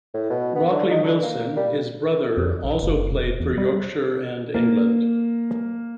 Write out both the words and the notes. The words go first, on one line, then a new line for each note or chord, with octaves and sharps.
Rockley Wilson, his brother, also played for Yorkshire and England.
A2
B2
B3
D3
D#4
D3
A#3
G3
F2
A#1
F#1
E1
E2
G3
A#3